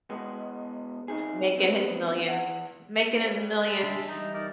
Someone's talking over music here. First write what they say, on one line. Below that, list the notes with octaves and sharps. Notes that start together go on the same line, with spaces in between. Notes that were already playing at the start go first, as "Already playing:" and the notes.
Making his millions. Making his millions.
B2 G#3 B3
C3 D#4 G#4
D3 B3 C4
E3 F#5
G3 C5
G#3 E5 A5
D3 D4 C6
E3 G3 D#4 E4 A#5
D#4 A#4 D5